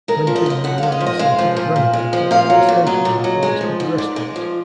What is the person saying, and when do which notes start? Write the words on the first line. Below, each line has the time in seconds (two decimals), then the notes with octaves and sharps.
When the Memorial Centre was renovated, the stage was replaced with a restaurant.
0.08 G#3 A#4
0.27 F3
0.36 D#5
0.46 F#2 D#5
0.64 F#2 F#5
0.78 G#3 F5
0.92 D#5
1.01 F3
1.06 D#5
1.19 G#3 F5
1.38 F3
1.56 A#2
1.76 A#2
1.93 G#3
2.13 F3
2.31 A#2 F5
2.50 F#3
2.68 A#2
2.86 F#3 D#5
3.05 A#2
3.24 F#3
3.42 G#3
3.61 F3
3.80 G#2
3.98 G#2 D5
4.16 G#3
4.36 F3